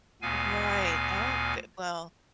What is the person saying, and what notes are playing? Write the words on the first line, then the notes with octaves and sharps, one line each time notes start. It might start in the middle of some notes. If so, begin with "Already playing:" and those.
Right, oh, g well.
D2 A#2 B3 F5 G#5